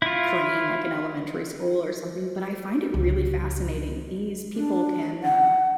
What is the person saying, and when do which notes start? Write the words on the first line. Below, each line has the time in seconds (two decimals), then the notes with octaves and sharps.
crane, like, in elementary school or something, but I find it really fascinating. These people can, uh,
0.02 E4 F4
2.94 C#2 D3
4.56 D4
5.23 F#5